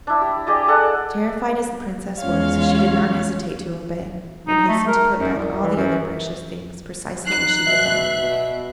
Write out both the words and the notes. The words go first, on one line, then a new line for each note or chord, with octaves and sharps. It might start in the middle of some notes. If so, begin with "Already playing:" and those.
Terrified as the Princess was, she did not hesitate to obey, and hastened to put back all the other precious things precisely as she had found them.
D4 E4
G4
G4 G#4 D5 D#5
A4 D5 F#5
E2 G#3 C#4 F4 C#5 F5
D#4
A3
A#4
F#2
C2
E3
F#2
D#4 F#6 C7
B2 E5
B2